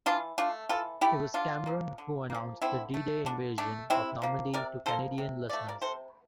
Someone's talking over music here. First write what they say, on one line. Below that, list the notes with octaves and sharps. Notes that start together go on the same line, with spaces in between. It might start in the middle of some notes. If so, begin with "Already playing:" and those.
It was Cameron who announced the D-Day invasion of Normandy to Canadian listeners.
E3 D4 F4
A3 D4 F4
E3 F4 A4
A3 E4 G4
D3 D4 F4
F3 A#3
D3
F3 A#3
D3 C4 E4
A3
D3 D4
A3 D4
C3 C4 E4
F3 A#3
C3 A#4 D5
F3 A#3 A4 C5
C3
F3 A3 D5
A#4 D5
C3 A4 C5